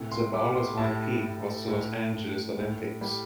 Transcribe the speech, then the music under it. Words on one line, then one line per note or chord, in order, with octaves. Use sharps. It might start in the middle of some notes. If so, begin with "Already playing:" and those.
Zabala's high peak was the Los Angeles Olympics.
Already playing: A2 C3
C6
G3 D6
C6
A2 A5
A2
A2
A2
A2
G3